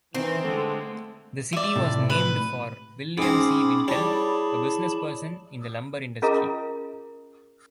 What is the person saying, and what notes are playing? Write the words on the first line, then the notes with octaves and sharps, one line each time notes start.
The city was named for William C. Winton, a businessperson in the lumber industry.
D#3 E3 C4
D3 G#3 A3 A4 C5
D5 E5
A2 C3
B4
G#2 C4 C#4 B5 D6 D#6
G3 E4 G#4 C#5 D5 A5 B5
C#4 F4 G#4 A#4 D#5 A#5